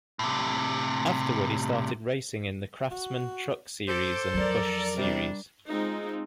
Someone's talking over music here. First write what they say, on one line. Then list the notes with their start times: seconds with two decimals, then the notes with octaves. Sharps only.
Afterward, he started racing in the Craftsman Truck Series and Busch Series.
0.19 A2 C3
2.91 F#4
3.88 A4 C5 D6
4.34 F2 F#3 A#4 D5
4.97 C3 G3 D4
5.68 G#3 C4 D#4 F4